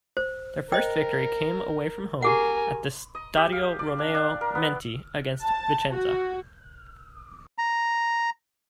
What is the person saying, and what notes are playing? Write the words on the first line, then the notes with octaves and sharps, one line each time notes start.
Their first victory came away from home at the Stadio Romeo Menti against Vicenza.
C5
A#4 C5 D#5 G5
G4 G#4 A#4 F#5 G#5
D#5
G4
F5
D5
D4
D4
A#4
B3
A5
F#4
A#5